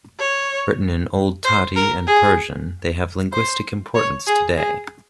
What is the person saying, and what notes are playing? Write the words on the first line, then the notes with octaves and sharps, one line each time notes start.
Written in old Tati and Persian, they have linguistic importance today.
C#5
C5
A#4
G#4
C5
C#5
G#4
G#4